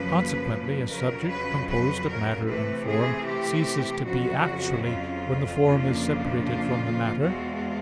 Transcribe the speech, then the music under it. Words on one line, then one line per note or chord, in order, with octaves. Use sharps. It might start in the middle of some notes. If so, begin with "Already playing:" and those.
Consequently a subject composed of matter and form ceases to be actually when the form is separated from the matter.
Already playing: F#2 C#3 F3 A#3 B4
F2 C#3 F#3 A#4
B4
B4
A#4
C3 E3 A3 C4 B4
G#4
G4
F2 C#3 F#3 F#4
F4
F2 C#3 F3 A#3 D4
F4
E2 B2 G#3 C4 F4 F#4